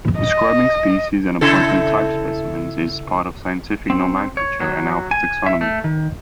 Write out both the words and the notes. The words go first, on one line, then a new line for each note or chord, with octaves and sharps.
Describing species and appointing type specimens is part of scientific nomenclature and alpha taxonomy.
D#5
C#3 E4 A4
C4
C#5
F#3
G#5
E5
A3
D#3